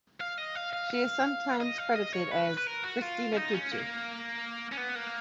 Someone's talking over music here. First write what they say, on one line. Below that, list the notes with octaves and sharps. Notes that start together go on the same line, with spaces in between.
She is sometimes credited as 'Christina Tucci'.
F5
D#5
F5
F5
F5
D#5
F5
D#5
C#5
B4
B4
A#4
F#4
F4
C#4
D#4
C#4
A#3
C#4
B3
A#3